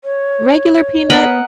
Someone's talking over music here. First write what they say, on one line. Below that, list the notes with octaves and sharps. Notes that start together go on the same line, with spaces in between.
Regular peanuts
C#5
B3 A#4 D#5 F#5 B5